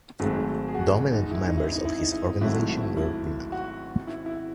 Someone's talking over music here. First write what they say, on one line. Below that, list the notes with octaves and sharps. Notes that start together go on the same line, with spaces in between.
Dominant members of his organization were women.
G#1 G#2 F#3 A3 G#4
G#4
F#4
F#4
D#4
E4
D#4
E4
D#4
E4
D#4
E4
G#1 G#2 F#3 A3 E4
E4
E4
F#4
E4
E4